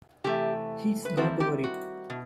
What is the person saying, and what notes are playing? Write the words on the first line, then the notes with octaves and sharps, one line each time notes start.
He’s got over it.
C3 E3 A3 G4
B4
D#3 G3 C4 E4 F#4 A4
G4
F#4
B2